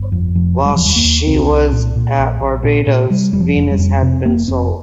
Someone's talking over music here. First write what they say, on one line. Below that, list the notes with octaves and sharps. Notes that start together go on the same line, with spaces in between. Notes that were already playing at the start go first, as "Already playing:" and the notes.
While she was at Barbados "Venus" had been sold.
Already playing: G1
F2
F1 F3
F1
G3
F3
D#2 G3
A#3
D#2
C2 C4
C2
A#2
A#2
A#1
A#1
A#2
A#2
C3 G3
F1 G3
F3
F1
G3
F2
C3 C4
F1 A#3
F1 C4